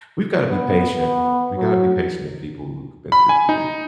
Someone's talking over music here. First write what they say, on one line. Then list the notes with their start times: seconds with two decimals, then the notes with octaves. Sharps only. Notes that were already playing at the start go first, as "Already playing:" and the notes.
we've gotta be patient. We gotta be patient with people who've been through grief.
0.49 B3
0.98 B3
1.57 F#3
3.12 B5
3.29 G#5
3.49 D#4